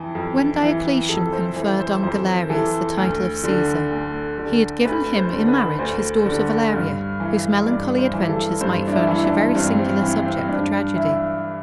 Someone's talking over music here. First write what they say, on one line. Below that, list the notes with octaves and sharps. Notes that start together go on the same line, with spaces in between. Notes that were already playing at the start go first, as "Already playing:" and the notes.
When Diocletian conferred on Galerius the title of Caesar, he had given him in marriage his daughter Valeria, whose melancholy adventures might furnish a very singular subject for tragedy.
Already playing: F2 E3
F2
E3
F2 A4
C5
E3 C5
C5
F2 C5
E3 A4
D2
D3
D2
D3
D2 B4
C5
D3
B4
D2 C5
D3
G2
E3
G2 D5
C5
E3
A4
G2 C5
D4
E4
E3 E4
D4
G2 C4
C4
E3 C4
C4
G2 D4
E3 E4